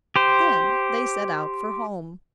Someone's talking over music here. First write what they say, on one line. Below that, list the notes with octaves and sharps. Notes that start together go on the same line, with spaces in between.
Then they set out for home.
G4 C5